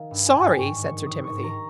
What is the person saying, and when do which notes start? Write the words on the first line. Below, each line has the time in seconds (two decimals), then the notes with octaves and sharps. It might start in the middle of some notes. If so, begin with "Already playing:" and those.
"Sorry!" said Sir Timothy.
Already playing: D#3 F5
0.11 G2
0.25 G#5
0.35 G#2 G5
0.58 G#2 C#6
0.83 D#3 C#6
1.06 D#3 D#6
1.24 C#6
1.30 G#2
1.43 A#5